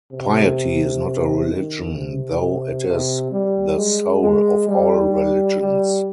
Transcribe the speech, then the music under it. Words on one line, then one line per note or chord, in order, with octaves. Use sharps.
Piety is not a religion, though it is the soul of all religions.
C3
D#3
C3
C3
G3
G#3
G#3
G3
G3